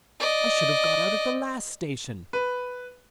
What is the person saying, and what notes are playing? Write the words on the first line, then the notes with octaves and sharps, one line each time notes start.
I should have got out at the last station.
D5 D#5
B4